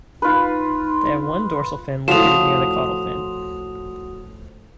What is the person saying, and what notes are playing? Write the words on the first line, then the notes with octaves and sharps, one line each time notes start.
They have one dorsal fin located near the caudal fin.
D#4 F4 B4
A2 F3 F#4 F#5 D#6 E7 F7